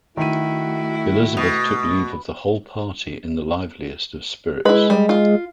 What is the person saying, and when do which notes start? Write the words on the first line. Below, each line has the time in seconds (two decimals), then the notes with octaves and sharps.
Elizabeth took leave of the whole party in the liveliest of spirits.
0.17 D#3 A3 E4 F#4 D#7
1.37 B2
4.65 G#3 E4 B4
4.90 G3
5.09 F4